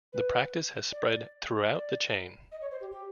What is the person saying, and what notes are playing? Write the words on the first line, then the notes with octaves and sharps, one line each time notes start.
The practice has spread throughout the chain.
B4
D5
D5
D#5
C#5
C5
G4
G4